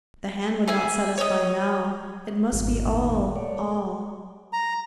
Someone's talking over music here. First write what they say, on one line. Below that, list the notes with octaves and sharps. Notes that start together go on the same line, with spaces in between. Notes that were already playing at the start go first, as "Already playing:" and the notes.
The hand would not satisfy now; it must be all, all!
G#4 E5 G#5
C#5 D#5
G#1 F2
D#2 A#2
A3 C#5 D5
A#5